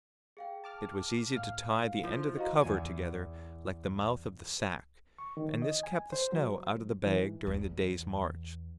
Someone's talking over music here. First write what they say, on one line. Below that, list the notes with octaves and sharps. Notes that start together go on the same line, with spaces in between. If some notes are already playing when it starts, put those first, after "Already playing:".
It was easy to tie the end of the cover together like the mouth of the sack, and this kept the snow out of the bag during the day's march.
G#4 F5 G5
A5 D6 F6
A2 F5 F6
F3 E4
F#4 D#5 F5 A#5
E2 G#5
C#6
D#3
D#5
G#5
C5
F#3
E3
E2